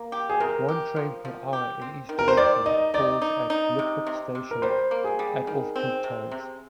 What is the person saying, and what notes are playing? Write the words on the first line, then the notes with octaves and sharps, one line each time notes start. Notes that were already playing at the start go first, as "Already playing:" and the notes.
One train per hour in each direction calls at Liphook station at off-peak times.
Already playing: A#3
G4
G#4
C3 A#4
G4
F3
F3
G4
C4
D#3
A#4
C5
D#3 D5
D#4 D#5
D#4 D5
D#4
D#4
C3
C3
C3
A#4
G3 C5
A#3
G#4
G3
D#3
C4
C3
C3